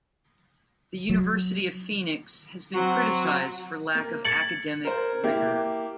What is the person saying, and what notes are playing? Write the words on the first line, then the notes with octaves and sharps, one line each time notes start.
The University of Phoenix has been criticized for lack of academic rigor.
F#3
F#3 C4 F#4
A#3
G#6 A6 C#7 F#7
A#4 C5
A#3 E4 G4